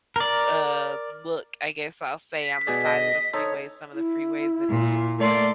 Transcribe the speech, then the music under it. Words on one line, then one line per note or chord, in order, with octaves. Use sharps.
uh, look, I guess, I'll say, on the side of the freeway some of the freeways, and it's just
A#4 D5
B6
B2 G#4 D5
D#5
D#4 A4 C5 C#5 D#6
E4
A#2
A3 A#3 D5 C6